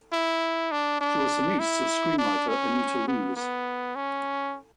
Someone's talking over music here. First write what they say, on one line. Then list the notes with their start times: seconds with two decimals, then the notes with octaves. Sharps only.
She was the niece of screenwriter Anita Loos.
0.13 E4
0.71 D4
1.01 D4
1.59 E4
2.18 D4
2.48 C#4
3.08 B3
3.36 B3
3.96 C#4